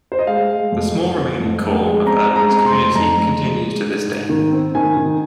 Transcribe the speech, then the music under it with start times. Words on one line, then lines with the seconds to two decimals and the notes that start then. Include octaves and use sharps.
The small remaining core of Erdman's community continues to this day.
0.12 C5
0.19 D#5
0.27 G#3 F5
0.50 G#3
0.72 F2
0.94 F2
1.17 C4
1.40 F2
1.61 F2
1.84 G#3
2.07 C4 A#5
2.29 G#3
2.36 A#5
2.51 C4
2.57 A#5
2.66 C6
2.74 F2
2.95 F2 A#5
3.18 F2
3.40 G#3
3.63 G#3
3.85 G#2
4.08 G#2
4.29 D#3
4.52 C4
4.75 D#3 G#5
4.97 D#3